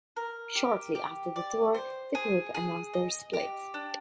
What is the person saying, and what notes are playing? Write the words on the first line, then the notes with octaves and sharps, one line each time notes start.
Shortly after the tour, the group announced their split.
A#4
G4
G4
D5
C5
G#4
G#4
D#5
G4
D4